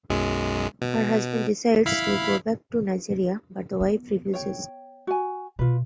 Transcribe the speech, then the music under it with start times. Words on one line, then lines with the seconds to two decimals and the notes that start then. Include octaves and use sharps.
Her husband decides to go back to Nigeria but the wife refuses.
0.10 B1 F#2 G#3
0.82 B2
1.86 E4 F5 B5
3.80 B3
4.33 C#5 G5
5.07 F#4 G#5
5.59 B2 F4 B4